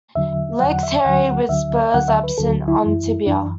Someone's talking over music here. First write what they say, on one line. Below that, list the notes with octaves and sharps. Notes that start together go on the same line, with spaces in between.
Legs hairy with spurs absent on tibia.
E2 D3 F#3 E5
E2 D3 F#3 F#5
E5
D2 D3 F#3 F#5
D2 D3 F#3 E5
D2 D3 F#3 F#5
E5
B4
D2 D3 F#3 A4
E4
F#2 E3
F#2 E3 D4